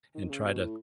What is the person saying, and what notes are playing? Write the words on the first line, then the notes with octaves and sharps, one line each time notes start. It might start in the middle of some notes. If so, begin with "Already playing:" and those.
and try to
D#3
C#3
B2
A2